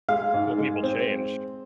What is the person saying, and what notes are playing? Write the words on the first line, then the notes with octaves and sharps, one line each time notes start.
Well, people change.
G#3 F5
G#2
G#3
C4